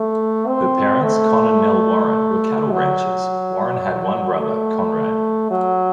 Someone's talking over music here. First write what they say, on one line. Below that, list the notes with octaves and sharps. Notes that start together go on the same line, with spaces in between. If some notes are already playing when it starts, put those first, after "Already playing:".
Her parents, Con and Nell Warren, were cattle ranchers; Warren had one brother, Conrad.
Already playing: A3
C4
A3
F#3
A3
F#3